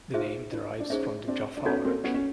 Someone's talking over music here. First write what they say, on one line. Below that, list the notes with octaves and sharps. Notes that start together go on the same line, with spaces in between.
The name derives from the Jaffa orange.
D#4 F4 G#4 C5 E5
D4 E4
D4
C#4 D#4 G#4 C5 E5
C4 D4
D4
B3 C#4 D#4 F#4 A4 C#5
A#3 C4
B3 C#4
C#4